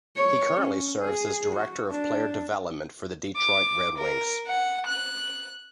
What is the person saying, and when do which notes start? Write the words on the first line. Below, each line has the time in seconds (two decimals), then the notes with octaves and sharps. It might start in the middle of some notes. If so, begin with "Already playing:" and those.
He currently serves as Director of Player Development for the Detroit Red Wings.
0.17 C#5
0.61 C#4
1.00 G#4
1.55 F#4
1.91 D4
3.37 D6
3.98 A#4
4.47 F#5
4.86 F#6